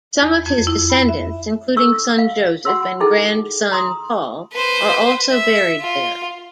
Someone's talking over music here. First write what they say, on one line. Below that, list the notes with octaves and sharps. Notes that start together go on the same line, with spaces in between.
Some of his descendants, including son Joseph and grandson Paul, are also buried there.
E2
F2
E4
B5
E5
D4 A4 C#6 E6
F5
F#4 F#5 C6 E6
D#4 E4 G#4 A4 G5
A#5 C6 D#6
B4 C5
E5
F4